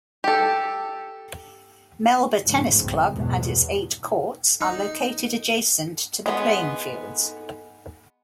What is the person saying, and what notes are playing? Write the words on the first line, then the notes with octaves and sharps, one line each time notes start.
Melba Tennis Club and its eight courts are located adjacent to the playing fields.
G4 A4
A1 F2 G#2 C#3 G#3 A3
C2 F2 G#2 C4
E2 G2 B2 F#3 G#3 B3
D#4
G#3 B3